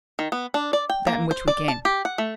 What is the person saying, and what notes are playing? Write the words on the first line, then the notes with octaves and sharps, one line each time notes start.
"That in which we came."
D#3
B3
D4
D5
G5
A#3
C5
D5
A5
G4
F#5
A3